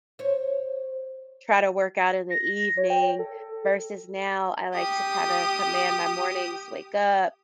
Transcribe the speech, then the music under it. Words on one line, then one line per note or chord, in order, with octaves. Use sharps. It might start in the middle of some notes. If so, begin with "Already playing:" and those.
try to work out in the evening versus now I like to kinda command my mornings, wake up,
C5 C#5
A#6
C#5
G5
A4
G4 D#6